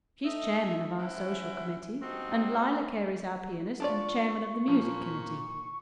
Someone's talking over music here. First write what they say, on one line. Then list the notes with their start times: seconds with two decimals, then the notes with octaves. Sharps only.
She's chairman of our social committee, and Lila Cary's our pianist and chairman of the music committee.
0.25 A3 D#4 D#5 E5
0.97 C#4 E4 F#4 C5 E5
2.01 G2 C4 D#4 F#4
3.80 D4 F4 D5 C#6
4.68 A#2 F3